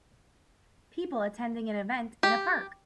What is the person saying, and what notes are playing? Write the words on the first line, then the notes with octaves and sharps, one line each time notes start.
People attending an event in a park.
G4